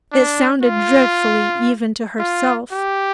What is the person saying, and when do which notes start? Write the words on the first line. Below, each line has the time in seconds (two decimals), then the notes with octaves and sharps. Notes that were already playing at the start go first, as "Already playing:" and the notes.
It sounded dreadfully even to herself.
0.12 D4
0.63 F4
2.19 F4
2.71 G4